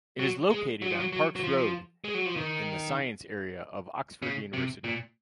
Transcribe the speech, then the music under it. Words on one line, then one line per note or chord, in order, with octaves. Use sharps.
It is located on Parks Road in the Science Area of Oxford University.
F#3
G#3
F#3
F3
F#3
F#3
F#3
F3
G#3
F#3
F3
D#3
C#3
C3
A#2